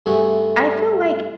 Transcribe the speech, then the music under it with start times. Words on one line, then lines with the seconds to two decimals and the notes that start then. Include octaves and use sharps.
I feel like
0.06 G2 C3 A3 D#4 G#4 F#5